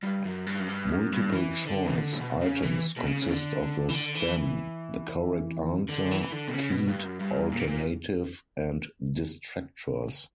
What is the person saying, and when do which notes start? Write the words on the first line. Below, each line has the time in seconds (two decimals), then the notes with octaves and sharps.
Multiple choice items consist of a stem, the correct answer, keyed alternative, and distractors.
0.03 G2
0.25 F#2
0.47 G2
0.60 F#2
0.68 G2
0.90 F#2
1.12 G2
1.33 E3
1.66 D3
1.87 E3
1.98 D3
2.13 A#2
2.20 B2
2.42 C#3
2.63 E3
2.96 B2
3.06 C#3
3.22 C#3
3.29 D3
3.89 E3
3.94 D3
4.15 E3
4.38 E3
5.89 D3
6.11 E3
6.22 E3
6.32 D3
6.48 B2
6.54 C#3
6.71 B2
6.88 G2
7.03 F#2
7.20 G2
7.52 A#2
7.60 B2
7.67 A#2